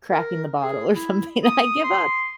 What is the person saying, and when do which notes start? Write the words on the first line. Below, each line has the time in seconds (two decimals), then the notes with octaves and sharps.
cracking the bottle or something, "I give up!"
0.11 A#4
0.62 G#4
0.95 E4
1.44 D#6
1.83 C6